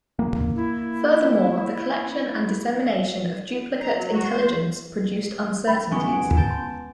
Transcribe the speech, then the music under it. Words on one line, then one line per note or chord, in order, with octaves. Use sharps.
Furthermore, the collection and dissemination of duplicate intelligence produced uncertainties.
A#3
E4
A#5
F#3
F#4
C5
G5 B5
G#3 B3 C#4 G4 C#6 D#6
F#5 D7
A5 G6 D7
C6